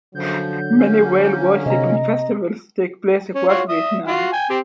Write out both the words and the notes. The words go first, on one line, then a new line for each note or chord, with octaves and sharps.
Many whale worshiping festivals take place across Vietnam.
F#2 D3 F3 F#3 G6
A#3 C#4
C3 D#5 A#5
C#4
F4 F#4 C#5
E5 D#6
F4 F#4
G5 G#5
C4 G4